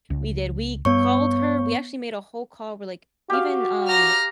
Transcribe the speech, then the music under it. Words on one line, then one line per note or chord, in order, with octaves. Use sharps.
We did, we called her, we actually made a whole call where, like we even, um
C#2
G2 B3 C#5 C#6
F#4 G4 F5
A#5 F6